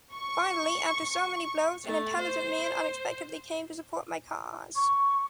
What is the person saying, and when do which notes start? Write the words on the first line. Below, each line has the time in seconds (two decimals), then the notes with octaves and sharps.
Finally, after so many blows, an intelligent man unexpectedly came to support my cause.
0.14 C#6
1.84 A3
2.18 C5
4.76 C#6